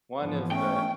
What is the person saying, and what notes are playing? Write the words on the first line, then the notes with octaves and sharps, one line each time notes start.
one is that,
G#2 E3 F3 B3
A3 C#4 G5